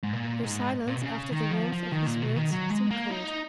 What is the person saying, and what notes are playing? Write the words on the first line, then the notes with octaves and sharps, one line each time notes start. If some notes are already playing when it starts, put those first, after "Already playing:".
Her silence, after the warmth of his words, seemed cold.
G#2
A#2
G#2
A#2
B2
C#3
D#3
F3
F3
D#3
A#2
B2
D#3
F#3
G#3
A#3
D#4